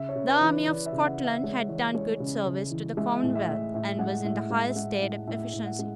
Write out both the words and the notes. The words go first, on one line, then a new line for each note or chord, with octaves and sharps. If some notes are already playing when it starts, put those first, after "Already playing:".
The army of Scotland had done good service to the Commonwealth, and was in the highest state of efficiency.
Already playing: C#3 E5
C#5
C#3
B4
E3
C#5
E3 D5
E5
C#3
F#5
C#3
E5
G#3 C#5
E3 C#5
G#3 C#5
C#3
C#3
E3
G#3 E5
A2
E5
A2
A2 E5
G#3 F#5
A2 E5
G#3
E5
G#3 F#5
A2 F#5
A2 E5
A2
F#5
G#3